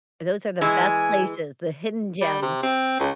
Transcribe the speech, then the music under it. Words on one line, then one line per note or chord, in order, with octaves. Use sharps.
Those are the best places, the hidden gems.
E3 G#3 G#5
G3
C3
C4
C#2